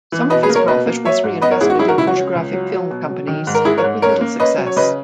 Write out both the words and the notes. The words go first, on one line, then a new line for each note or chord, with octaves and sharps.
Some of his profit was reinvested in photographic film companies but with little success.
E3
B2 B4 D#5
G#4 B4
A#3
A#4 C#5
B2 B4 D#5
A#3
F#3 C#5 E5
G#2
B3 B4 D#5
A#4 C#5
G#2 E4 G#4
F#4
F#3 E4 G#4
F#4 A#4
C#2 E4
F#4
C#4
C#2
F#3
F#3
B2
F#3
D#3
G#2
A#4
G#3 E4 G#4
A#4 C#5
G#2
C#4 A#4 C#5
A#3
C#4 B4 D#5
F#3
C#5
C#3 B4 D#5